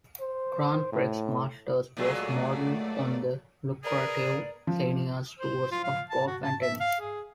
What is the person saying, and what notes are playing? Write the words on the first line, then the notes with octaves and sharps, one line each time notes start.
Grand Prix Masters was modeled on the lucrative seniors tours of golf and tennis.
C5
A2
A#2 F#3 G#3 A3 D5
G#4 A#4 B4 D5
F3
C5
F4
F5
A5
F#4
A5
E5
F5
G#4